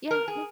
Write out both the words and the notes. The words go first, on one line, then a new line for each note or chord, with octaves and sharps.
Yeah, yeah.
A#4
G#4